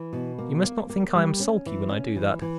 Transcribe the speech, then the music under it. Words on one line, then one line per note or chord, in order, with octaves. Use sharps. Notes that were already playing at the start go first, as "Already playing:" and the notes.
You must not think I am sulky when I do that.
Already playing: E3
B2
A#3
A#3
A#3
G3
C#4
E3
C#4
E3
E3